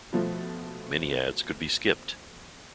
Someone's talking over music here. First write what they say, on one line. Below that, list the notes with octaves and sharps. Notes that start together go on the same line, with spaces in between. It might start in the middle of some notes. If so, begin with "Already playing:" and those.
Many ads could be skipped.
B2 F3 A3